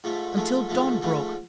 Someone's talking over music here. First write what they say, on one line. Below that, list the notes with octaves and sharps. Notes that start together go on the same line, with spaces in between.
Until dawn broke.
G#2 F3 A3
G#2 F3 A3
G#2 F3 A3
G#2 F3 A3